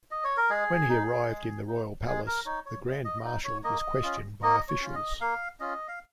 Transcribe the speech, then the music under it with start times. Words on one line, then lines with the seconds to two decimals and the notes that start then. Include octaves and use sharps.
When he arrived in the royal palace, the Grand Marshal was questioned by officials.
0.11 D#5
0.24 C#5
0.37 A#4
0.50 G#3 G#4
0.89 D#4
1.28 G#3
1.67 D#4
2.06 G#3 G#4
2.27 A#4
2.46 D#4 C#5
2.66 C#5
2.85 G#3
3.04 D#5
3.24 D#4
3.44 C#5
3.64 A#3 D#5
4.03 C#4 F4
4.42 A#3 D#5
4.68 C#5
4.81 C#4 F4
4.95 D#5
5.21 A#3 F5
5.60 C#4 F4 D#5
5.88 F5